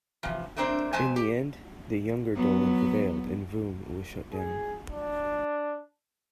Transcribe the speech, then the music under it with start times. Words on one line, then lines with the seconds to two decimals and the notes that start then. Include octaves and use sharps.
In the end, the younger Dolan prevailed and Voom was shut down.
0.23 C3 E3 F3
0.57 A3 A#3 C4 D4 C5
0.93 F2 C3 G#3 C5 G#5 A5
1.16 G4
2.35 F#3 B3
4.32 G#4
4.90 D4